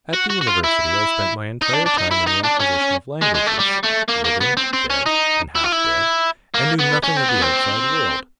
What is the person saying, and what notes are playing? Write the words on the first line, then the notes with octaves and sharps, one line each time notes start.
At the University I spent my entire time in the acquisition of languages, living, dead, and half-dead, and knew nothing of the outside world.
F#4
F#4
F#4
F4
E4
D#4
D4
D4
D#4
E4
D#4
D4
C#4
G#3
G#3
A3
G3
A3
A#3
A#3
B3
C4
C4
C#4
D#4
E4
F4
E4
A#3
B3
C#4
C4
B3
C4